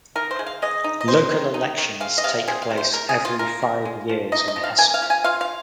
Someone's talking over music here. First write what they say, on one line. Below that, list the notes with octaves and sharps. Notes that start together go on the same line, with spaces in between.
Local elections take place every five years in Hesse.
D#4 A#4
C5
G#3
F5
G#3 D#5
D#4
D#5
C4 C5
D#3
D#4
D#3
G#3 F5
D#5
C3 F5
C4 G#4
F5
C3
C5
G#3 A#4
G#4
F3
F4
F4 A#4
F3
G#3
F3
D#4 D#5
D#5
F3
F5
A#3 G#5
F5
F3
G#5
F4 F5
F5